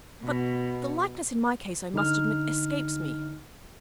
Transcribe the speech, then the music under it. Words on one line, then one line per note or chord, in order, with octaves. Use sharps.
But the likeness in my case, I must admit, escapes me.'
B2
D3 D#4 F6